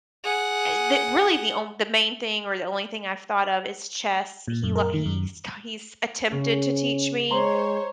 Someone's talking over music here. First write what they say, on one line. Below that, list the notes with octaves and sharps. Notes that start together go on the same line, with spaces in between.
eh, that really the onl the main thing or the only thing I've thought of is chess. He li he's ki he's attempted to teach me
G#4 F#5
A#2
F#2
A#4
D#3
F#2
C#3 C#4
G#3 C5 C#5 D#5 A#5 C6